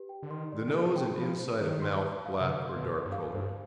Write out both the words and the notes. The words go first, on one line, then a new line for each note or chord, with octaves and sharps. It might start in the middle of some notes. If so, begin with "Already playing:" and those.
The nose and inside of mouth black or dark coloured.
Already playing: G4 B4
G5
D3
D#3 C6
D5
D#3
F3 G#4
G5
F3 B5
C5
D#3 B4
C6
B4
F5
C3
D3 B4
C6
B2
B4
G2
F5
G2 C5